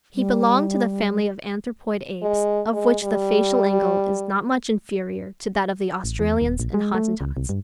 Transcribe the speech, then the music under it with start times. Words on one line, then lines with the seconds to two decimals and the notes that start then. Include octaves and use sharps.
He belonged to the family of anthropoid apes, of which the facial angle is not much inferior to that of the Australians and Hottentots.
0.15 G3
2.22 G#3
2.73 G#3
3.03 G3
6.04 A1
6.19 E2
6.41 D#1
6.60 A#1
6.74 G#3
6.95 A3
7.21 C#2
7.37 C2
7.49 G2